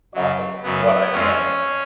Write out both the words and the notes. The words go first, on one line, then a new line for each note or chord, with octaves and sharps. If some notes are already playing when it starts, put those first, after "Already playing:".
Off of what I you know,
F#2 C#3 F#3
F#2 C#3 F#3 B3
F2 F3 G#3 C#4